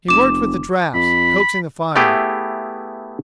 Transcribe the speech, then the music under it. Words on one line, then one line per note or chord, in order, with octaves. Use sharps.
He worked with the drafts, coaxing the fire.
F1 D6 E7
F2 B5
A3 B3 E4 G4 G#4